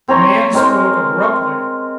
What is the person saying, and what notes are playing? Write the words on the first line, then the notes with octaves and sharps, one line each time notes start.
The man spoke abruptly.
C4 C#5 A#5
G#3 C4 A#4